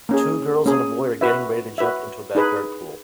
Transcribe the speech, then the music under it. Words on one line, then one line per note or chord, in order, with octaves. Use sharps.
Two girls and a boy are getting ready to jump into a backyard pool.
A#3 C#4 G#4
A#3 C#4 G#4
F#4 B4 E5
F#4 B4 E5
D#4 G#4 B4